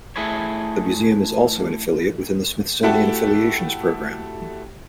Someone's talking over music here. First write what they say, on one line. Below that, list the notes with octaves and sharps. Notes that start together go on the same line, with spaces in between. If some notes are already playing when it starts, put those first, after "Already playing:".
The museum is also an affiliate within the Smithsonian Affiliations program.
A3 E4 G#4 B4 C#5
A3 E4 F#4 G4 A4